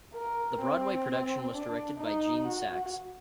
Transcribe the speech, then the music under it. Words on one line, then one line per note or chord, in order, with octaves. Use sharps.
The Broadway production was directed by Gene Saks.
A#4
C4
D4
D#4
F#4